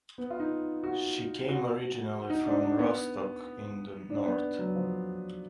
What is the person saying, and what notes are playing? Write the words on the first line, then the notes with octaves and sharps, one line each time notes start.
She came originally from Rostock in the north.
B3
F4
D#4
F#4
F#4
D#4
D4
D4
B3
D4
B3
F#3
F3